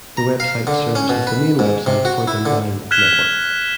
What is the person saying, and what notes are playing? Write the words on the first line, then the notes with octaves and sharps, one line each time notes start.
The website serves as the main website for the Nine Network.
A#5
F5
D3
C#4
B2
B4
G#2
C3
F#4
E4
D3
F6 F#6 G#6 B6 E7 G7